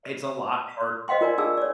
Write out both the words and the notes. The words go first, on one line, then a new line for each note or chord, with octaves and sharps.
it's a lot harder
C5 D#5 F5 G5 C6
F4 A#4 D5 G#5
D4 G4 G#4 G#5 A5 E6
C#5 D5